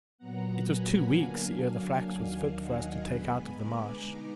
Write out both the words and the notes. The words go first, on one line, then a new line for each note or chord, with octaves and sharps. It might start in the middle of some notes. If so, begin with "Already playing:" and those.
It was two weeks ere the flax was fit for us to take out of the marsh.
A#2 F#3 B3 F#5 A#5
G#5 B5
D3 F#3 A#3 D4 F5 G#5
D#2 D#3 F#3 D4
D#5 F#5
D3 G#3 B3 G#5 B5
A#5 D6
B2 G#3 B3 D#4